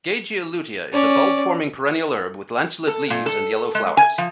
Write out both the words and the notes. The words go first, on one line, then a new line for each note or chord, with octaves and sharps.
"Gagea lutea" is a bulb-forming perennial herb with lanceolate leaves and yellow flowers.
C#4 D5
A4
A#2
A4
G#3
G#5
F3